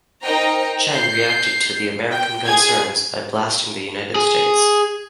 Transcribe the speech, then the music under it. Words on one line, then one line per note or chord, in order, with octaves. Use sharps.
Chen reacted to the American concerns by blasting the United States.
D#4 A#4 C5 D#5 G5 A#5
G6 C7
G5
G#4 G#6
G#4